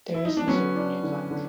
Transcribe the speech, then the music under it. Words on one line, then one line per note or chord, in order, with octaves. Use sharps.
There is no ceremonial plaque.
E4
D#4
D4
F#3 B3 C#4
D4
D3
D3